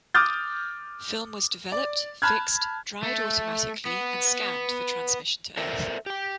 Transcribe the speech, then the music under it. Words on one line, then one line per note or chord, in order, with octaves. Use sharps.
Film was developed, fixed, dried automatically, and scanned for transmission to Earth.
D6 D#6 F6 G6 A6
D5
A5 B5 F6 F#6 G#6
A3
B3
A4 A#4 C5 D5 E5 G5
G4 G5